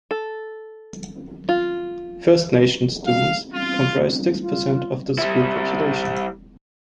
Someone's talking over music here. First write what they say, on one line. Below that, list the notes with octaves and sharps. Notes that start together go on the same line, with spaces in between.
First Nations students comprise six percent of the school population.
A4
F4
F5
F4
F4
G3 E4